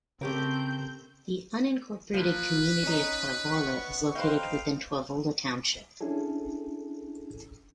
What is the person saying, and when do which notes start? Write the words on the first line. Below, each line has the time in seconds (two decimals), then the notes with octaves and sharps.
The unincorporated community of Toivola is located within Toivola Township.
0.21 C#3 A3 C4 G4 A#4 G6
2.14 F3 A#3 B4
2.83 C#4 D#4
3.53 B3 C#6
4.15 D#4 B4 C5 F5 G5
6.01 C#4 D4 E4 G#4 A4